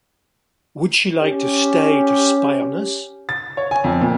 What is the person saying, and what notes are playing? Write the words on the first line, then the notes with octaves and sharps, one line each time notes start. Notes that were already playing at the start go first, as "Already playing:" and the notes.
Would she like to stay to spy on us?
C#4 G4
A6
C#5
G#5
F2
A#2